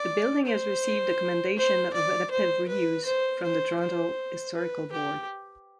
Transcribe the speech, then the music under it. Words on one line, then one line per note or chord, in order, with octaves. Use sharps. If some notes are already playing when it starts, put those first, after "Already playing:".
The building has received a Commendation of Adaptive Re-use from the Toronto Historical Board.
Already playing: D5
C5
C5
D5
C5
B4
C5
C5
C5
B4
G4